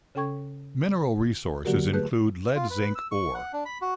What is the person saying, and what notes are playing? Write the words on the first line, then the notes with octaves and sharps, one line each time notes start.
Mineral resources include lead-zinc ore.
C#3 C#4 A4 G5 C#6 G#6
D3 F#3 A#3 F#4 G4 A#4
A3 G#4 B4 F#6 G6
F4
B4
E6
C#6
F#5
D4
B5
F#4